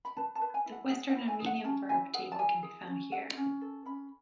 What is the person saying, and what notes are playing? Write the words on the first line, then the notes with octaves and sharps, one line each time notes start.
The Western Armenian verb table can be found here.
B5
B4 A5
A5
B4
G#5
E4
F#5
G#4 F#5
F#5
E4
G#5
G#4
F#5
C#4 A5
E4 G#5
G#4 F#5
A5
E4 G#5
G#4
C#4
A4 F#5
C#4
A4
C#4 B5